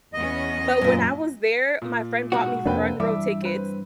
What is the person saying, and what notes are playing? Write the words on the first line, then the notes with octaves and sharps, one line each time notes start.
But when I was there, my friend bought me front-row tickets,
E2 B3 C#4 D#5
F#2 A#2
A#2
G#2 B2 F#4
F2 C3 A#3 D4 B4 G5
G2 E3 E5 D6
C4 B4